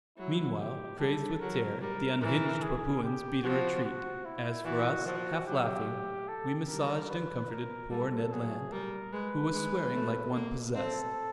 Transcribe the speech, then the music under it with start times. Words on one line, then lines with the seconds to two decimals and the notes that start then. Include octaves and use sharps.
Meanwhile, crazed with terror, the unhinged Papuans beat a retreat. As for us, half laughing, we massaged and comforted poor Ned Land, who was swearing like one possessed.
0.18 F#3 E4
0.60 G4
0.99 G3 A4
1.40 F#3 A#4
1.81 G3 A#4
2.21 E3 A#4
2.62 G#4
3.03 G4
3.43 F3 F#4
3.84 F#4
4.25 E4
4.65 E3 F#4
5.06 F3 F#4
5.46 F#3 G4
6.28 A4
6.68 G3 A#4
7.09 B4
7.50 A#4
7.90 G3 A4
8.32 F#3 G#4
8.72 G3 A#4
9.12 G#3 B4
9.54 G#3
9.94 A3
10.34 A#3
10.75 C4 A4